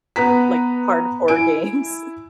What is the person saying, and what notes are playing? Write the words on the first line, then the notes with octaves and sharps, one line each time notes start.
Like, hardcore games.
B3 B4 A#5 B6
E4 G#5 D7